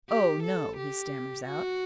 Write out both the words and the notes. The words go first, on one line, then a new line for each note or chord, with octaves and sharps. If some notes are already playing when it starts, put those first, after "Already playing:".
"Oh, no," he stammers out.
G4
A4
G4
F#4